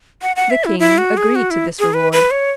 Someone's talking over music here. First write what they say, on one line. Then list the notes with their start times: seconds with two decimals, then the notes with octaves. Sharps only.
The king agreed to this reward.
0.22 F#5
0.36 F#5
0.50 E5
0.65 E4
0.79 E4
0.98 F#4
1.17 G#4
1.36 F#4
1.51 E4
1.79 G#4
1.94 B4
2.12 B4
2.31 C#5